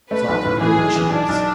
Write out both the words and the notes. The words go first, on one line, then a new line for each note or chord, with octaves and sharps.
Soft goat cheese.
A3 B4
B1
A2
E3 G#4
B1
E3
B1 D4
B1